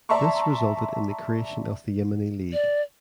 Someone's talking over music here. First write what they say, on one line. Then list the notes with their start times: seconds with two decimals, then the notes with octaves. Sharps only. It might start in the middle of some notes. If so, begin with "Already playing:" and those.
This resulted in the creation of the Yemeni League.
0.09 D5 E5 A5 A#5 C6 C#6
2.53 D5